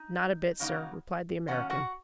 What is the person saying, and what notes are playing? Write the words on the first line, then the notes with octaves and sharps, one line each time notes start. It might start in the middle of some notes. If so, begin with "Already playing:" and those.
"Not a bit, sir," replied the American.
Already playing: D#4
C#3 F#3 A#3 D#4
F#2 D#3 A#3 C#4 F#4 F#5
F#4 F#5